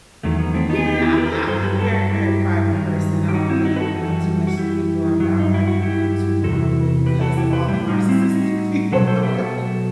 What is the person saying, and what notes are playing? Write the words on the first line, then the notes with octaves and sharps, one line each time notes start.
Yeah, I'm a I'm a very very private person, I don't really open up too much to people, um, I don't like to become too vulnerable because of all the narcissistic people in the world,
E2 D#3 F#3 A3
B3
A3 C4
B3 D#4
B3 D#4
E4 G4
G4 B4
A4 C5
G2 F#3 A4 C5
G4 B4
F#4 A4
F#4 A4
E4 G4
G2 D#3 F#3
G4
D#4 F#4
C4 E4
D#4 F#4
B4
F#4 A4
F#2 E3 G3
F#4
E4 G4
G2 F#3
D#4
E4
F#4
E4 G4
E2 C3 E3 F#4 A4
G4 B4
F#4 A4
E4 G4
G4 B4
A2 G3 E4 G4
D#4 F#4
C4 E4
E4
D#4 F#4
B2 F#3 F#4 A4
A4 C5
G4 B4
F#4 A4